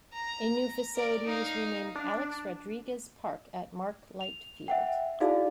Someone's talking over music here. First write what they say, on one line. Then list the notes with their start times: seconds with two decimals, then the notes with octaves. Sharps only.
The new facility was renamed "Alex Rodriguez Park at Mark Light Field".
0.13 A#5
0.95 A#4 D5
1.25 D#4 F5
1.95 D4
4.21 F7
4.68 E5 F#5 G5
5.20 D#4 E4 F#4 G#4 D5 F5